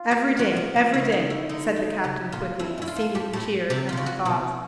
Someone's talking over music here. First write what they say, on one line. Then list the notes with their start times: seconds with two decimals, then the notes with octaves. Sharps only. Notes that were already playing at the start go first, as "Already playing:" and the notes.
"Every day, every day!" said the captain quickly, seeming cheered at the thought.
Already playing: F4
0.11 G4
0.39 F3 F#4
0.57 F3
0.76 F3
0.94 C#3 E4
1.12 D#4
1.30 E4
1.49 D3 D#4
1.76 D#4
2.04 C#3 G4
2.32 A#2 F4
2.59 F2 E4
2.78 F#2
2.82 E4
2.88 F4
2.96 G2
3.15 G2 G4
3.33 A2
3.70 C3 G4
3.89 C3 F4
3.97 C#3
4.06 F#4
4.25 B2 E4